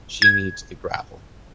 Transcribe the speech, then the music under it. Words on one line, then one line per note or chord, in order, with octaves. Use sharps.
She needs the gravel.
G#6